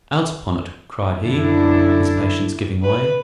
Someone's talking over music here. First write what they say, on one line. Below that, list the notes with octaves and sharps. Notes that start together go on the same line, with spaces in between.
"Out upon it!" cried he, his patience giving way.
F#2 D3 D4 E4
B4